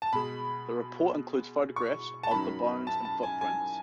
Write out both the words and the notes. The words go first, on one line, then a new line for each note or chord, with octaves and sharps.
The report includes photographs of the bones and footprints.
A5
B2 G#3 B5
C#6
A5
F#2 D#3 F#3 B5
A5
A5
G#5
G#5